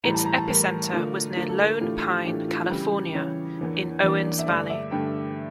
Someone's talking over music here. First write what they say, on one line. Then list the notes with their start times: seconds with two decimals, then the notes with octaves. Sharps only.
Its epicenter was near Lone Pine, California, in Owens Valley.
0.04 A2 E3 G3 A#5
0.14 A5
0.25 A#5
0.37 A5
0.48 A2 E3 G3 A#4
0.93 D3 A3 D4 F4 A#4
1.36 D3 A3 D4 F4 A#4
1.49 A4
1.63 A#4
1.80 A2 E3 A3 D4 F4 G4
2.04 G4
2.25 A2 E3 A3 D4 F4 G4
2.48 F4
2.63 F4
2.70 C#3 E3 G3 G4
3.14 C#3 E3 G3 C#5
3.58 E2 E3 A#3 D4
4.03 E2 E3 A#3 D4 D5
4.39 E5
4.47 G2 D3 A3 D5
4.70 E5
4.91 G2 D3 A3 G5